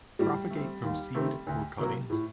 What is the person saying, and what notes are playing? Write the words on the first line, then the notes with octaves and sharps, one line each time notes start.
Propagate from seed or cuttings.
A2 G3
A3 C4
D#2
D#3 A3 C4 G4
D2
C3 F#3 A#3
A2